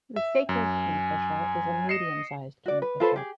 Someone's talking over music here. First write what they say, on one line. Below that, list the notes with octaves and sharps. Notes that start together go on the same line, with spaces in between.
The sacred kingfisher is a medium-sized kingfisher.
E5
F#2 G#5
D#5 C7 C#7 E7
F#4 D5
B4
F4 A4 B4 C5
G4 G#4